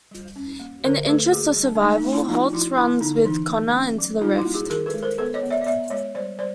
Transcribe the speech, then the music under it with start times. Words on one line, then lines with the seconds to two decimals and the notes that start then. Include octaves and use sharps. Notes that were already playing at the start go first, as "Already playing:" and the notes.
In the interest of survival, Holtz runs with Connor into the rift.
0.11 G3
0.36 C#4
0.60 A#3
0.85 D3 A#4 C5
1.08 A3 A4 B4
1.32 A#3 F#4 G#4
1.56 G3
1.64 D4
1.76 D4
1.81 A3 D#4
1.96 D#4
2.04 A3
2.12 D4 E4
2.28 F3 D#4 F4
2.53 F3 E4 F#4
2.77 B3 D4 E4
3.01 D3 D#4
3.25 E3 D#4
3.49 A3
3.74 C#4
3.98 F#3
4.21 G3 D#4 F4
4.37 E4 F#4
4.45 A#3
4.54 F#4 G#4
4.70 D#3 G#4 A#4
4.86 A4 B4
4.94 G#3
5.03 A#4 C5
5.18 B3 A4 B4
5.34 C#5 D#5
5.43 B3
5.50 D5 E5
5.61 D#5
5.66 B3 D5 E5
5.90 G#3 C#5 D#5
6.15 G3 C5 D5
6.39 G3 C5 D5